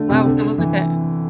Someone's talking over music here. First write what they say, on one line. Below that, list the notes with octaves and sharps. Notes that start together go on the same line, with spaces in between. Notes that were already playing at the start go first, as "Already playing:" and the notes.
Wow, so it was like a
Already playing: D3 A3
C3
D3
E3